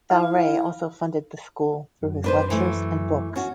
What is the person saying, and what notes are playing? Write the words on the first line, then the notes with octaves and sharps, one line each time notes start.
Faure also funded the school through his lectures and books.
E4 F5
F#2
D4 B4 C5
E3 A3
C#4 F#4